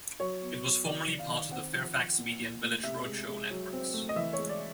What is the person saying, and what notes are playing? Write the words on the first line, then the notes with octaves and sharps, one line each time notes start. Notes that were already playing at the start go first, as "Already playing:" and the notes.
It was formerly part of the Fairfax Media and Village Roadshow networks.
F#3 C#5
B3
F#3
D#3 D5
D#3
F5
D#3
C4 F#5
F3
F3
A#2
A#2
A3
C3 E5
G#3
G#3
F#3
C4
A3
D#5
E3 E5
C#5
G#3
D5